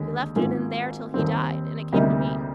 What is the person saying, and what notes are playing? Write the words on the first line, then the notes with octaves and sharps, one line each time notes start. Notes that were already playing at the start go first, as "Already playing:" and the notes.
He left it in there till he died, and it came to me.
Already playing: D#2 D3 G#3
G#1 G#2 D#3 A#3 F4
D#2 D#3 G3 C4
D2 C3 G3 A#3 D#4